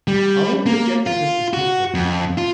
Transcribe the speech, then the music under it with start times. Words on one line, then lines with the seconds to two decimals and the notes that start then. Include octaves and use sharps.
Aoun rejected his dismissal.
0.08 G3
0.66 A#3
1.07 F4
1.53 F#4
1.94 F2
2.38 F4